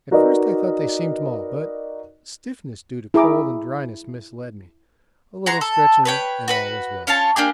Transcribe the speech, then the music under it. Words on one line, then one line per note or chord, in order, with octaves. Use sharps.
At first I thought they seemed small, but a stiffness due to cold and dryness misled me--a little stretching and all was well.
D#4 F#4 A#4 B4 D5 D#5
E4 G#4 A#5 D6
F#4 G#4 A#5 C6
A4
B4 C#5 G5
F#4 B4 B5
C#4 F4 C#5 A5
A#3 D4 G4 G#4